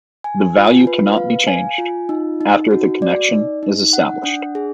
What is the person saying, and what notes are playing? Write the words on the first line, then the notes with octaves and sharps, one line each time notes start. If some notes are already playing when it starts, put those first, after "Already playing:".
The value cannot be changed after the connection is established.
G#5
F4
B4
F5
G#5
F4
D#4
D#4
F#4
D5
D#4
D#4
F#5
D4
G#4